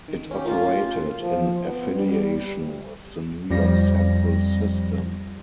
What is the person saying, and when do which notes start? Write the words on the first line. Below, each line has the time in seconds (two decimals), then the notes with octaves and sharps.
It operated in affiliation with the New York Central system.
0.08 D#3
0.31 C#4 F4 G4
0.45 A3 A#3 C#4 F4
1.20 F3
1.61 B3
1.96 G3
3.50 F2 G3 A#6